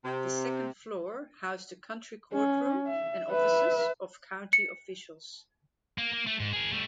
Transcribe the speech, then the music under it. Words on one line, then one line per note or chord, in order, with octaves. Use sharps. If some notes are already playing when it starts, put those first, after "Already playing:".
The second floor housed the country courtroom and offices of county officials.
C3
C#4
E5
B4 E5
C#7
A#3
A#3
A3
G#2
G#4 A#4
G3 A3